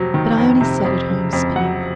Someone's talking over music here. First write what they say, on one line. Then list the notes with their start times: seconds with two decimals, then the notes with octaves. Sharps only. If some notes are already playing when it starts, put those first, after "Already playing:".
But Ione sat at home spinning.
Already playing: F2 C3 F#3
0.14 D#3
0.37 F2
0.61 C3
0.85 F2
1.09 C#3
1.33 F2
1.56 F#3 F#5